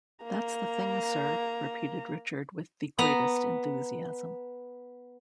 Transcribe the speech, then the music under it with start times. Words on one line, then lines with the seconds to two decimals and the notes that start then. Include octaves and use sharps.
"That's the thing, sir," repeated Richard with the greatest enthusiasm.
0.24 A#3 A#5
2.99 B3 A#5